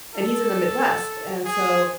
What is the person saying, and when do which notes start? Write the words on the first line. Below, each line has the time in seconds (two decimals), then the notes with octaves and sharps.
and he's in the Midwest, and so,
0.15 A4
1.45 G#4